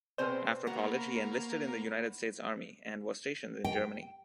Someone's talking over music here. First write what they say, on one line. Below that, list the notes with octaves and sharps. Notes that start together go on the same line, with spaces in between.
After college, he enlisted in the United States Army, and was stationed in Germany.
B2 C4 G#4 B4 C5 D5
A#3 B3 F#4
G5